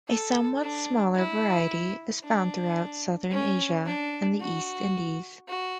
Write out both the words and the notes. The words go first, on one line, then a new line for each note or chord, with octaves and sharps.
A somewhat smaller variety is found throughout southern Asia and the East Indies.
A4
D4
E4
D4
C#4
D4
F#4
F#4